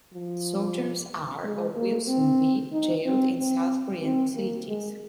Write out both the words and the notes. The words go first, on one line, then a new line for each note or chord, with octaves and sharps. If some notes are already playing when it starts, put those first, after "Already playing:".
The soldiers are, or will soon be, jailed in South Korean facilities.
F3
G#3
A#3
C4
D#4
C4
C4
C4
A#3
G#3